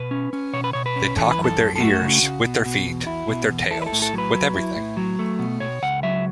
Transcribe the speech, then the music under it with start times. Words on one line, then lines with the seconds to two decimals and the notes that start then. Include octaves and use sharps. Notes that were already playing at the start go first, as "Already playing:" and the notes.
They talk with their ears, with their feet, with their tails — with everything.
Already playing: B2 B4
0.11 C#4
0.33 C#4
0.53 B2 C#5
0.64 B4
0.73 B2 C#5
0.86 B4
0.96 C#4
1.17 E3 A4
1.31 B4
1.38 F#2
1.44 A4
1.59 F#2
1.75 A4
1.80 A3 F#4
2.01 C#3
2.22 C#3
2.44 B2
2.66 B2
2.86 E2
3.07 E4
3.28 B2
3.50 E2
3.71 E4 A4
3.82 B4
3.86 A4
3.92 A2
4.02 A4
4.13 F#3 B4
4.34 F#3
4.56 E4
4.76 A2
4.97 F#3
5.19 A3
5.39 B2
5.60 B2 C#5
5.82 C#2 F#5
6.03 F#3 E5